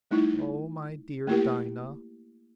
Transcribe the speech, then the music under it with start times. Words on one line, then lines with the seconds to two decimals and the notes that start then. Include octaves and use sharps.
Oh, my dear Dinah!
0.11 G3 A3 D#4 E4
1.27 A3 A#3 E4 G4 A#4